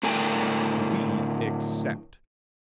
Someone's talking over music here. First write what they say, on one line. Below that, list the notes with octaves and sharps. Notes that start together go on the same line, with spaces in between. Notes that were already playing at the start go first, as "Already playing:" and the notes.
We accept.
A2 D3 A3 A#4 G5 G#5